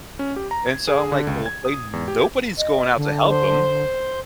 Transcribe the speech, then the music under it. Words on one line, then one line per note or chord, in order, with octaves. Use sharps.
and so I'm like, "Okay, nobody's going out to help ‘em.
C#4
G4
A#5
G#6
G#4
D3
C#2
G#6
D#6
E2
G4
D#5
D3
C5